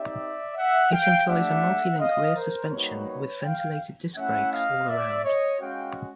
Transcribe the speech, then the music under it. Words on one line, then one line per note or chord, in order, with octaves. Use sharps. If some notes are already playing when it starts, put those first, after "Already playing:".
It employs a multilink rear suspension with ventilated disc brakes all around.
Already playing: C4 D#4 G4 D5 E5
E5 F#5
F5 G5
A3 D4 G4 E5 F#5
D#5 F5
A#4 C5
G3 A#3 D#4 F#4 B4 C#5
F5 G5
A3 C#4 E4 E5 F#5
D#5 F5
D5 E5
C#5 D#5
G#3 C#4 F#4 F5 G5